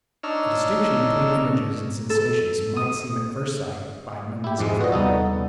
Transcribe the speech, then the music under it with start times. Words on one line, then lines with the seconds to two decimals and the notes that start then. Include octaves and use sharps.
The distinction between images and sensations might seem at first sight by no means difficult.
0.23 D4 D#4 C#5 E6 F6
2.10 A4
2.76 D#6
4.44 E4 G4
4.59 F2 G#2 G#3
4.81 F#4 B4 D5 D#5
4.92 D#2 C3 G3 B3 D#4 A4